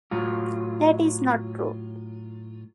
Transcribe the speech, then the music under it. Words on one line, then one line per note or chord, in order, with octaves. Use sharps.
That is not true.
A2 F#3 F4